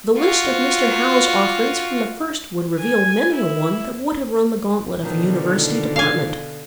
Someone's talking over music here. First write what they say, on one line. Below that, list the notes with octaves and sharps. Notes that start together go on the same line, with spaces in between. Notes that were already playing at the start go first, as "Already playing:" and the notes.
The list of Mr. Howe's offerings from the first would reveal many a one that would have run the gantlet of a university department.
F4 F#4
G#5
E4
B2 D3 D#3 F3
F5 G#5